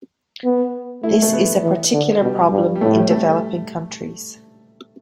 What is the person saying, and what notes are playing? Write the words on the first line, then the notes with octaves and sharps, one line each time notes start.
This is a particular problem in developing countries.
B3
A3 E4
A3
B3
E3
D3
B2 G3
G2
G3
A2 A3
G3
A3